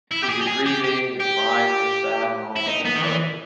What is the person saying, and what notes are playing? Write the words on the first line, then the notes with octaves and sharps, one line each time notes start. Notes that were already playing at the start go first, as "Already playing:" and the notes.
'cause you're grieving and you're crying and you're sad and all, but then it's like
E4
G4
G#4
G4
G#4
G4
G4
G4
E4
D#4
B3
D#3
E3